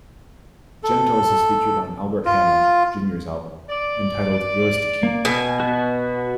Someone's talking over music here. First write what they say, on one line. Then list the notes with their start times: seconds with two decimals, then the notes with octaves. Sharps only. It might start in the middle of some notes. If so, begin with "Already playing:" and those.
Gentles is featured on Albert Hammond, Junior's album, entitled Yours to Keep.
0.83 A4
2.25 F4
3.69 D5
5.03 A#3
5.25 B2 G#5
5.60 B3 F#4